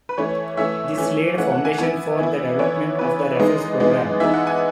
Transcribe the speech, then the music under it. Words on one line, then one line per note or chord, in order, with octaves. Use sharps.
This laid the foundation for the development of the Raffles Programme.
B4
E3 A3 C#4 C#5
E3 A3 C#4 E5
E3 A3 C#4
E3 A3 C#4 F#5
F#5
G#5
E3 B3 E4 G#5
E3 B3 E4
E3 B3 E4 C#5
E3 B3 E4 B4
C#5
E3 G#3 B3 D#4 D#5
E3 G#3 B3 D#4
E3 G#3 B3 D#4 E5
F#5
G#5